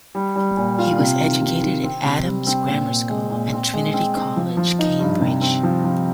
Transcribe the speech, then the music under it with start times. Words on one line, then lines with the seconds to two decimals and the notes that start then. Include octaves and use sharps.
He was educated at Adams' Grammar School and Trinity College, Cambridge.
0.15 G3
0.36 G3
0.57 A#2
0.78 F4
0.98 C3
1.20 D#3
1.42 C3
1.61 D#3
1.83 C4
2.04 C3
2.25 G3
2.47 C4
2.68 A#2
2.88 A#2
3.10 G#3
3.30 A#2
3.53 C4
3.74 G#3
3.94 C4
4.15 C4
4.36 F3
4.57 F3
4.79 D#4
4.99 G2
5.20 C3
5.41 C4
5.63 F3
5.85 F3